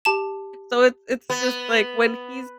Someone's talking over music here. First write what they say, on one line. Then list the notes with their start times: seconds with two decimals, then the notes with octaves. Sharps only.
So it's it's just, like, when he's
0.05 G4 A5 E7
1.30 B3